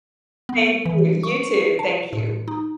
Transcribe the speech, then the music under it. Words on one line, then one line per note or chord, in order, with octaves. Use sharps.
Thank you. You too. Thank you.
B3
E3
C#6
A5
A2
D#4